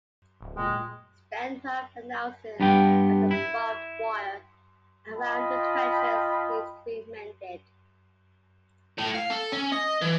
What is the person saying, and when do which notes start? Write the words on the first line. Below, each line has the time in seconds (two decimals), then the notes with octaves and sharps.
Stanhope announces that the barbed wire around the trenches needs to be mended.
0.41 D1
0.57 A#2 G#3 G#4 G5
2.60 G2 B3 G4 G5
3.31 E4
5.15 F4 D#5 G5 A5 B5
8.98 A2
9.14 F5
9.30 A4
9.53 C#4
9.73 D#5
10.02 E3